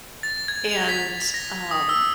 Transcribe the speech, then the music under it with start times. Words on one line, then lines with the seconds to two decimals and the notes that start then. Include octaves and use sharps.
and, um,
0.23 A6
0.48 G#6
0.71 F7
0.89 B6
1.34 A#6
1.71 D#6
1.89 E6